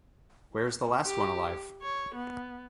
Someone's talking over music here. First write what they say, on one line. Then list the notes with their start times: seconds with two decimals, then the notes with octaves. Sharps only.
Where’s the last one alive?
1.06 G4
1.82 C#5
2.15 B3